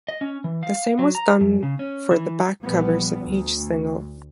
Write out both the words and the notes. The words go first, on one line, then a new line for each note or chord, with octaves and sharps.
The same was done for the back covers of each single.
D#5
C#4
E3
F5
F#3
A#5
F#2
C#3
C#4
E3
A#1 F3 G3 B3
D2